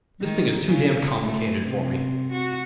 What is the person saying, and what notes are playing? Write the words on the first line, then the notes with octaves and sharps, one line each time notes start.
This thing is too damned complicated for me.
D#3
C#3
A3
C3
F#4